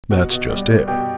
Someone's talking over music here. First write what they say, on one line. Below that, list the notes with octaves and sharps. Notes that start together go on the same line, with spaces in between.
"That's just it."
B2 F#4 F#5
B2
G3
G3
B2 G4 G5